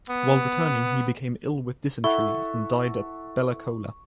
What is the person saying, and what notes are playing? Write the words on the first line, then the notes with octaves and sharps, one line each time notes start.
While returning, he became ill with dysentery and died at Bella Coola.
B3
E4 A4 E5 F#5 C#6